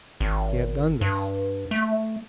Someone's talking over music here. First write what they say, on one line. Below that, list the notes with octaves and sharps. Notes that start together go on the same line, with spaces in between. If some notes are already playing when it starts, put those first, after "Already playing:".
He had done this.
G#1
G2
A3